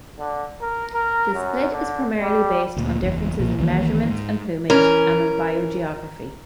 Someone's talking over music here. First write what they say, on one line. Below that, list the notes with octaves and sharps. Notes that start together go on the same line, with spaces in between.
The split is primarily based on differences in measurements and plumage, and on biogeography.
D3
A#4
A#4
F#2
D3
G3
D2 A#2
F#1 E2
B1 A#2 F3
C2 D#3 E3 A#3
G#2
E3 C#4 A#4